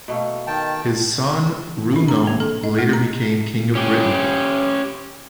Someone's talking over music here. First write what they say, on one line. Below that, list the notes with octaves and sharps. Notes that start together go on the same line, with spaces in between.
His son Runo later became king of Britain.
B2 A3 A#3
D#3 G5 A5
D4
A#5
A#3
A4
D#5
A3
A#5
C#4 G4